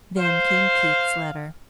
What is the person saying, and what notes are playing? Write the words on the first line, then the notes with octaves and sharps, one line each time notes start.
Then came Keith's letter.
C5 F5